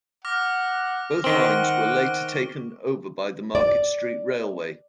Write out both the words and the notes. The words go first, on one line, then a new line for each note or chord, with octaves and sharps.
Both lines were later taken over by the Market Street Railway.
F#5 D6 F6 A#6
D#3 C4 F#5 C#6 D7 G7
D5